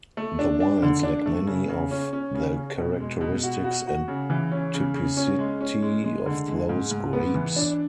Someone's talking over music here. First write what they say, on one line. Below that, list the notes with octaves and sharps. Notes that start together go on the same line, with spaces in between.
The wines lack many of the characteristics and typicity of those grapes.
A3
D4
D4
D3
D4
A3
C#3
C#3
C#4
C#4
C#3
C#4
B2
G#3
B2
F#4
F#4
F#4
C#3
E3
C#4
C#3
C#3
C#4
G#3
C#4
G#3
G#3
D3
G#3
G#2
G#2
B3
E3
D4